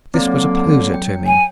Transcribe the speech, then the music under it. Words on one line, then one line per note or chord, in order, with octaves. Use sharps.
This was a poser to me.
D3 F#3 A#3 C4
G5
G#5